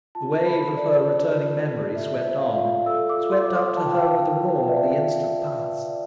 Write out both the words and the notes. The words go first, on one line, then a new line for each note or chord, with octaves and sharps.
The wave of her returning memory swept on--swept up to her with a roar the instant past.
F4 A5
A4 B5
F4 D5
C5 D5
F4
A4
F4 E5
E5
C5
F5
F4
F5
A4 E6
D6
F4
C6
C5
F4 A5
G5
F5
G5
B4
G5
F4
D5 E5
F4
E5
B4
F4
D5